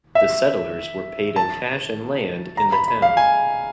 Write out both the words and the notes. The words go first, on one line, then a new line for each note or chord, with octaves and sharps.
The settlers were paid in cash and land in the town.
E5
A5
A#5
B5
B5
F5
G#5